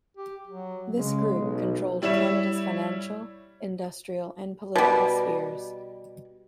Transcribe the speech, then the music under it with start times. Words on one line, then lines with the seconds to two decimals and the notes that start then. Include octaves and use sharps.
This group controlled Canada's financial, industrial and political spheres.
0.17 G4
0.47 F#3
0.95 C#3 G#3
1.36 B1
2.02 G3 E4 C#5 E5 E7
4.76 B2 G3